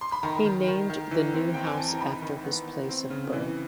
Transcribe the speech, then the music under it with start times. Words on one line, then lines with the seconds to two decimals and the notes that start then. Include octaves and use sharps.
He named the new house after his place of birth.
0.01 C6
0.12 B5
0.23 D#3 A#5
0.45 D#3
0.68 D#3
0.90 D#3
1.11 E3
1.34 C4
1.54 C4 G5
1.66 G#5
1.78 E3 A5
1.88 A#5
1.99 D#3 B5
2.22 D#3
2.44 B3
2.66 B3
2.89 C4
3.10 C#3
3.33 E3